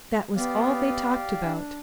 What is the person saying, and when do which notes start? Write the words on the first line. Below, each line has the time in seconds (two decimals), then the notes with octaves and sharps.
That was all they talked about.
0.35 B3 G4 D5 F5
1.42 D4